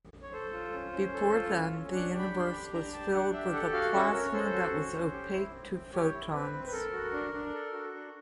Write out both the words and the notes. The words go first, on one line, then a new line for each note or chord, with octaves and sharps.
Before then, the Universe was filled with a plasma that was opaque to photons.
C#5
A4 C5
F4
C#4
C#4
A4
F4
C#4
C#4
D4 F#5
G4
B5
D4
C6
B5
G4
D4 A#5
G4 A5
D4 F#5
G4 E5
A4 F#5
F#4 F5
C#4 E5
C#4 A#4
C#5
A4 C5
F#4
C#4
C#4
G4
E4
C4
C4
G4 C#5
E4
C4 B4
C4
B4
A4 A#4
F#4
D4
D4
A4
F#4
D4